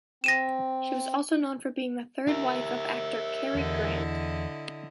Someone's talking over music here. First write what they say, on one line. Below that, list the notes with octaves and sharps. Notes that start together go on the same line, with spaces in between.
She was also known for being the third wife of actor Cary Grant.
C4 A#6 D#7 E7
G4 A#4 E5
E2 D3 E4 D#5